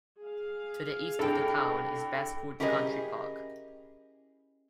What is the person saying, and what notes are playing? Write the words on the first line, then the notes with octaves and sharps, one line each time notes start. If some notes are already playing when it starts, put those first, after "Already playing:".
To the east of the town is Bestwood Country Park.
G#4 F5
C2 G2 D4 A4 G5
C#4 E4 G4 G#4 A#4 D#5